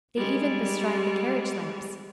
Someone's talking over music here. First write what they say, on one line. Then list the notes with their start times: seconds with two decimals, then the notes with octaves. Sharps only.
They even bestride the carriage lamps.
0.17 G3 G#3